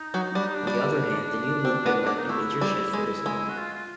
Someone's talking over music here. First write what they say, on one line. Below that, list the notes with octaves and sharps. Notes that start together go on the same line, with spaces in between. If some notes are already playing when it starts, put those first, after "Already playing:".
On the other hand, the new movement marked a major shift for Islam.
Already playing: D#4
F#3
G3 D4
D#4
D4
G3
C4
B3
A#3
D#4
A3 E4
G3
G#3
G#3
F#4
F4
F4